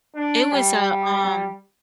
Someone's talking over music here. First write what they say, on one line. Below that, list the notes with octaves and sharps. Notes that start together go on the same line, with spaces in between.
it was a, um
D4
G3